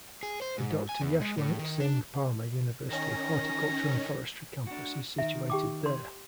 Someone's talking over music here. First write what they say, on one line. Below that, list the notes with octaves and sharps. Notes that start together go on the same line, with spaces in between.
The Doctor Yashwant Singh Parmar University of Horticulture and Forestry campus is situated there.
G#4
C5
G#2
G#5
E2
G#3
A2
D#3
D4
D#3 C#4 A#6
D4 F#4
D#3 E5
G4 G5 D6
C6